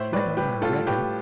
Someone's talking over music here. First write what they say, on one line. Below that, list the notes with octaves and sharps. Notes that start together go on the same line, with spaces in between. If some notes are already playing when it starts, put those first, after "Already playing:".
Well, I reckon!
Already playing: A2 C5 E5
A2 B4 D5
G3 G4 B4
A2 F4 A4
A2 G4 B4